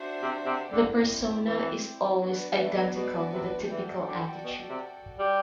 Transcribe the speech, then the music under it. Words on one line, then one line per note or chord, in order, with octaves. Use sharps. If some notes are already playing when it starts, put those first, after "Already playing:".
The persona is always identical with a typical attitude.
Already playing: D4 F#4 C5 E5
C3
C3
D3 C4 E4 G4 D5
E3
F#3 B3 D4 F#4 B4 D5
A3
B2
C3
E3 F#4 A4 D5 G5
D3
B2
C3
G3